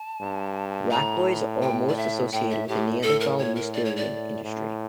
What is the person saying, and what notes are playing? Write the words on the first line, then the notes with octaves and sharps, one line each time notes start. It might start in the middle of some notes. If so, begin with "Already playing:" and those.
Racloirs are most associated with the Neanderthal Mousterian industry.
Already playing: A5
G2
A2 A#5
G5
D5
E5
A2 G5
E5
A2 G4
A2 A4
A#4
C#5
A#4
D5
C#5
D5
A2